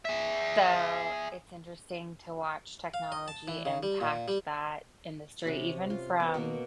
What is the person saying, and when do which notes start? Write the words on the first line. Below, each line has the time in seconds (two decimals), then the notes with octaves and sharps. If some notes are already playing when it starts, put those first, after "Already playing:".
so it's interesting to watch technology impact that industry even from,
0.05 G#4 E5
2.94 F5
3.12 D#5
3.28 A5
3.48 E3
3.65 C#3
3.83 G3
4.01 A#2
4.28 G3
5.44 C3 C#4 F#4 B5
5.90 F4
6.20 B3
6.34 B2 A#3 B3